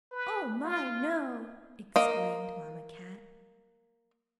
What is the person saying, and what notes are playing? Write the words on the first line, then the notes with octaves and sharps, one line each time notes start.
"Oh, my, no!" exclaimed Mamma Cat.
B4
F4
A#3 D#5